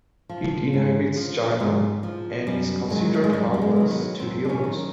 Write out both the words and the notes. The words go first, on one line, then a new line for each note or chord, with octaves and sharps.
It inhabits China and is considered harmless to humans.
F3
G#2
F3
G#2
F3
F#2 G3
D#3 F#3 G#3
A3
G#3
F#2 G3
G3
G#3
D#3 F#3
B3
F#2 C4
D4
C#4
D#3 F#3